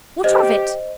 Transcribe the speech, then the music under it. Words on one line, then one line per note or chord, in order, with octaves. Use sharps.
"What of it?"
G4 C5 D#5